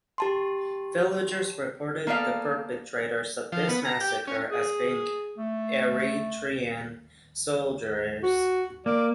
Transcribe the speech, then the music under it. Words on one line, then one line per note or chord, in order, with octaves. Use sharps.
Villagers reported the perpetrators of this massacre as being Eritrean soldiers.
G4 A5 C6
A#3 B3 A4 D5 F5
F3
B3
A#5
G4
C#4
G#4
A3
F#4
A#3 D5